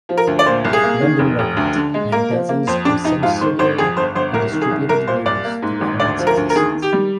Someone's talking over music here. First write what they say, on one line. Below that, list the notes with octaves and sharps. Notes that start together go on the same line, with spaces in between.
London Records had dozens of subsidiary and distributed labels throughout its existence.
F3
A#4
D2
D5
A#2 C5
C2
G#4
A#3
D#3
F1
F1
D2
D3
G#3
A#3 A#4
F3
A#3
F2 C5
F2 D4
F2 D#4
G#2 F4
D#3 C5
G#1 C5
F2 G#4
G1 C5
G1 C5
C2 A#4
D#3
G#4
C2
C2 A#4
A#2 C5
C2 D5
A#3
G#2
G#1
D2 D5
F3
A#4
D2
A#4
D#3 G#4
D#3
G4
G3